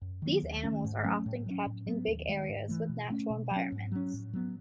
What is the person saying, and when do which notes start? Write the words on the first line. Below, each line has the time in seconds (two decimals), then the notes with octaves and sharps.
These animals are often kept in big areas with natural environments.
0.02 F#2
0.22 D#3 F#3 B3
0.43 D#2
0.63 D#3 A3 C#4
0.84 G#2
1.04 F#3 A3 C#4
1.26 A2
1.46 F#3 C#4
1.66 A2
1.86 F#3 B3
2.07 D#2
2.28 D#3 G#3
2.49 G#2
2.69 E3 A3
2.89 B2
3.10 A3 C#4
3.30 B2
3.51 F#3
3.56 C#4
3.72 G#2
3.92 F#3 C#4
4.13 A2
4.33 F#3 B3